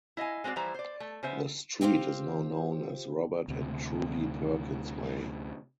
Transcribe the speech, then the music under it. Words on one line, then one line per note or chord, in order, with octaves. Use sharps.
The street is now known as Robert and Trudie Perkins Way.
E4 D#5 F5 G#5
G#3 C4 F#4 G4 D5
E3 F3 G3 E4 C5 A#5
C5 D5
A3
C#3 B3 C5 E5
C4 F4 G4 C5 F5
D2 C3